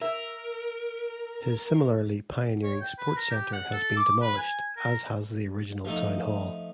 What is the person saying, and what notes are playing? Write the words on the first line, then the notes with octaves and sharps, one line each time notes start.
His similarly pioneering Sports Centre has been demolished, as has the original town hall.
A#4 E5
C#5
G5
B4
A#4
G4
F#5
A4
D6
B4
G#5
A#4
F3 A3 D#4